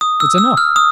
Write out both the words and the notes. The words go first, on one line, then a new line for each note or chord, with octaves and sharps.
It's enough.
D#6
E6
E6
F6
D#6